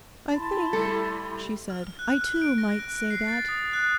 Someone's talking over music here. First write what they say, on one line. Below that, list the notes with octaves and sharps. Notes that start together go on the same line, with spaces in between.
'I think,' she said, 'I too might say that.
E4 A5 B5 C6
G3 A3 A4
F6
F6
F#6
F6
D7
A#6
F#6
D7
C7
A6
D#6
F#6